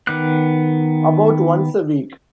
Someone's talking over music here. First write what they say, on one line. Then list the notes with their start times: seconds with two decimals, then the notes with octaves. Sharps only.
About once a week.
0.07 D#3 B3 D6 F6 F#6